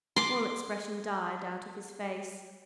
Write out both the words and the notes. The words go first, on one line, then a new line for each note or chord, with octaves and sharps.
All expression died out of his face.
C6 D6